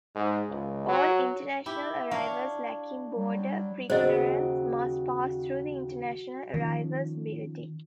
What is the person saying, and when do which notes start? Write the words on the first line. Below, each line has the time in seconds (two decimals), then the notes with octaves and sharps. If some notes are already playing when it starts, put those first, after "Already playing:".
All international arrivals lacking border preclearance must pass through the International Arrivals Building.
0.15 G#2
0.48 C#2
0.88 F#3
1.66 E4 G4
2.11 D4 C#5 F5
3.15 F#3 G3
3.90 D#2 C#3 F#3 G#4 C5 D#5
6.54 D#3 F3 C#4